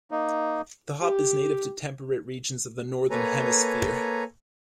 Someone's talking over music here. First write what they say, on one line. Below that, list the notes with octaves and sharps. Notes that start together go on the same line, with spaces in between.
The hop is native to temperate regions of the Northern Hemisphere.
A#3 D#4
G4
A#3 A4 B4 C#5 G#5 A#5